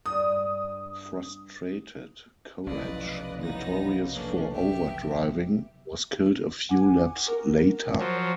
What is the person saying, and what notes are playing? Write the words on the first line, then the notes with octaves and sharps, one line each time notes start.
Frustrated, Courage, notorious for overdriving, was killed a few laps later.
G2 G3 D#6
F1 B1 C#4 E4 B4 D5 D#5 F5
B3 D#4 F4 C#5 F5 A#6
A#3 C#4 D4 A4 B4 D5
B3 G4 E5 G5
F#5 G#5 D6
F#4 A#4
F3 F#3 C5 C#5